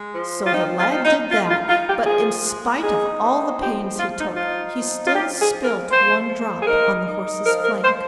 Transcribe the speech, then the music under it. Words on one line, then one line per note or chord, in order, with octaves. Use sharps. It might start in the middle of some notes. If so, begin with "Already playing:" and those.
So the lad did that; but in spite of all the pains he took, he still spilt one drop on the horse's flank.
Already playing: G#3
F3
F4
C4 D#4
F4
D#4
D#4
D#4 F4
F4
D#4 F4
G4
F3 G#4
G#3
D#4 G#4
C4
F3 G4
F3 F4
D#4
D#4 F4
F3
F4
F3 G4
G#4
F3
A#4
F3 C5
F3
G#4
D#4 A#4
D#4
F3 A#4
A#4
F3 C5